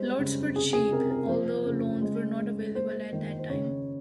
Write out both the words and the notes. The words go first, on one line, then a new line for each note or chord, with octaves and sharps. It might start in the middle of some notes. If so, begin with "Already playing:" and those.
Lots were cheap, although loans were not available at that time.
Already playing: G3 G#3 C5
C#3
C3 G#4
G#4
C3 A#4
A#4
F3 C5
C#3
G#3
G#3
A#3 C5
D#3
C5
C#3 C#5